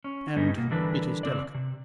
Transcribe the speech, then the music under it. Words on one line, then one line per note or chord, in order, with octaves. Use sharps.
"And it is delicate."
C#4
G2 G3 G#3 B3 D#4
B2 A#3
D3 E3 G3 D4 A#4 B4
C#3 C4 D5
C3